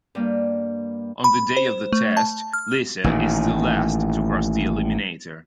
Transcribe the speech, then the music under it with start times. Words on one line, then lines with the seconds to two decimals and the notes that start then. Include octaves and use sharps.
On the day of the test, Lisa is the last to cross the Eliminator.
0.15 G2 G3 A#3
1.24 B5
1.57 C5
1.93 A3
2.17 A5
2.53 F6
3.04 A1 A#2 D#3